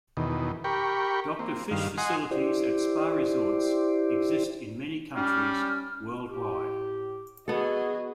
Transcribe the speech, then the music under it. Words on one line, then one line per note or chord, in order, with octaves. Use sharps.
Doctor fish facilities at spa resorts exist in many countries worldwide.
E2 B2 D#3
G4 A#4 G5 B5 C#6
A#3 C4
G2 D#3 F5
D#5 F#5 G#5 C6
E4 G4 C5 D5
G3 C#4 F6
A2 G4
B3 F#4 G#4 A4 D#5